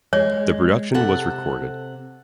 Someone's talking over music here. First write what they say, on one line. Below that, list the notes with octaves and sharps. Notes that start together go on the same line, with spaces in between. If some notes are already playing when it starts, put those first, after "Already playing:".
The production was recorded.
G#3 C#5
C3 A4 F#5